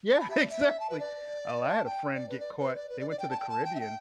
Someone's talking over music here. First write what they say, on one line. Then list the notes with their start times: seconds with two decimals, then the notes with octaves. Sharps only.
Yeah, exactly. Oh, I had a friend get caught They went to the Caribbean,
0.14 A5
0.20 B5
0.30 E5
0.39 D5
0.50 E5
0.80 A5
0.90 B4
1.00 D5
1.69 A5
1.85 G5
2.15 D5
2.29 B4
2.40 D5
2.60 B4
2.75 D5
2.89 B4
3.00 D5
3.10 D5
3.19 G5
3.30 A5
3.40 G5
3.49 A5
3.64 G5
3.75 E5
3.80 G5